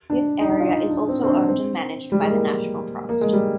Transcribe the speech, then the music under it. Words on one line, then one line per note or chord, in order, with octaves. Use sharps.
This area is also owned and managed by the National Trust.
D4
D#4
D4
F4
D#4
D4
C4
C4
D4
C4
G3
G#3
A#3
A#3
G#3
G3